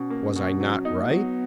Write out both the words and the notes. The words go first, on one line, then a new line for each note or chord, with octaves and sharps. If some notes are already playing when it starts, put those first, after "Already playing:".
Was I not right?
Already playing: B2 C#4
A#3
B2
F#3
B3 D#4
A#3
F#3 B3